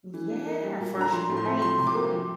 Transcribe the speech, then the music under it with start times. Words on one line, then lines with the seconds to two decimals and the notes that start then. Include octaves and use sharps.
Yeah, for su right.
0.14 E3
0.30 D4
0.46 A#3
0.63 G3
0.80 A#2
0.97 D4 A#5
1.13 F3 C6
1.29 A2
1.37 C6
1.46 C4
1.62 F3 C6
1.78 C3
1.87 D6
1.94 A#3
2.12 F3